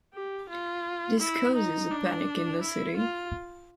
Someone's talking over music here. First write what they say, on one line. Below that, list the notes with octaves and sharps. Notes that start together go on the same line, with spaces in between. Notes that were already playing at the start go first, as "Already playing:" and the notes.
This causes a panic in the city.
G4
F4
E4
D#4
D4
E4
F4